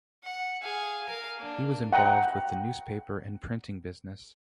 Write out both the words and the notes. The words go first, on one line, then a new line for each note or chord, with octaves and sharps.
He was involved with the newspaper and printing business.
F#5
G#4 F5
A#4 F5
A#3 D4
F#5 G5 A#5